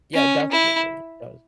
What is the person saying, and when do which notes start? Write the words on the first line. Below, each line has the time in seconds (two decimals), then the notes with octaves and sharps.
Yeah, definitely does.
0.14 C#4
0.51 E4